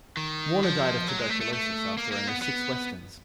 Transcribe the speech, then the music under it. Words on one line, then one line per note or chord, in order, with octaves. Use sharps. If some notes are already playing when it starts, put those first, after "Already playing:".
Warner died of tuberculosis after only six Westerns.
D#3
F3
F#3
G#3
A3
A3
A3
A#3
A#3
B3
B3